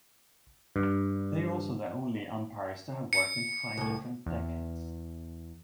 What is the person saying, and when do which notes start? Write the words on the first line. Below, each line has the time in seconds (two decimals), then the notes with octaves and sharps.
They are also the only umpires to have worked in five different decades.
0.76 G2
3.13 C#7
3.77 C2 A2
4.26 E2